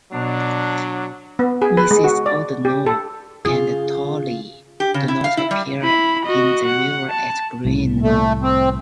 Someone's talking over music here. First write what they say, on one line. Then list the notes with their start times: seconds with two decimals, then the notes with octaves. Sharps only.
Mrs. Oldknow and Tolly do not appear in "The River at Green Knowe".
0.12 B2 F#3 D4
1.39 B3
1.62 G#4
1.77 B4
1.91 G#3
2.04 F#4
2.26 D5
2.65 G4
2.87 A4
3.45 C#3 F4 G#4
4.80 G4
4.94 C#3
5.08 E4
5.24 F5
5.37 E4
5.51 G3
5.81 E4 B5
6.26 F#4 D#5
6.66 F#5
7.10 A5
7.65 C2 A2
8.02 A3
8.42 C4